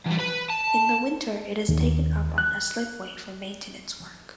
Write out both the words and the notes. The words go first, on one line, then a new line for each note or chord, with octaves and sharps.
In the winter it is taken up on a slipway for maintenance work.
E2 G3
B4 B5
A5
D#2
F#6